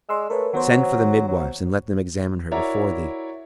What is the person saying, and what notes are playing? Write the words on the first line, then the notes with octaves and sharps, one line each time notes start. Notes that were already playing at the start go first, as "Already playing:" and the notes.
Send for the midwives and let them examine her before thee.
G#3 D5 C6 E6
A3 A#4 B4 C#5
D#3 F#3 B3 C5
F#3
E4 F#4 A#4 C#5 D5 A#5